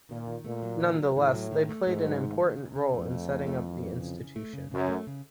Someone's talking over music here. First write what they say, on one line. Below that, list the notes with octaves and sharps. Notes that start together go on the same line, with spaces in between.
Nonetheless, they played an important role in setting up the institution.
A#2 D#3
D#3
A#2 A3
F#3
D#3
F#3
A2 D#3
F#3
D#3
A3
G#2 A3
F#3
D#3
D#3
C#3
C#3
F2 A3
A3
A3
A3
E3
E3
C#3
C#3
A3
C#3
F#2 C#3
A3
C#3